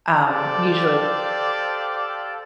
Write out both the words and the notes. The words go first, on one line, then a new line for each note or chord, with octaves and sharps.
um, usually
G4 A4 C5 D5 F5